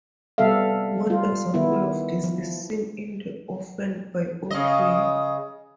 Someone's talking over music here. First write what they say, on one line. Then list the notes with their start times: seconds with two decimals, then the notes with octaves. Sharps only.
One example of this is seen in The Orphan by Otway.
0.38 C3 G3 B3 A4 E5 F5
1.06 G3 F4
1.54 D#3 B3 E4
2.24 F3
4.51 C#3 D#5